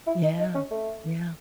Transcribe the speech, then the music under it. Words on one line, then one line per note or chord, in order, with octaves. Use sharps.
Yeah. Yeah.
E4
D#4
D#4
C#4
A3